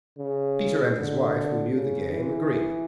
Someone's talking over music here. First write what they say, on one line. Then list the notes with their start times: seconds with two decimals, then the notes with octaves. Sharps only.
Peter and his wife, who knew the game, agreed.
0.18 C#3
0.96 D3
1.74 C#3
2.12 E3